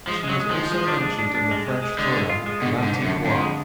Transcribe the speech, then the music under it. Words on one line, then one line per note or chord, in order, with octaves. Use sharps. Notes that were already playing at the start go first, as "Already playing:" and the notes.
She is also mentioned in the French thriller "L'Antiquaire".
F3 G#3
G#3
F#3
G#3
F3 G#3
G#3
D4
G#3
D4
D4
G#3
G#3
G#3
D3 G#3
G#3
F4
G#3
B2 D3
G#2 D3
D3
F#2
D3
F2 D3
G#3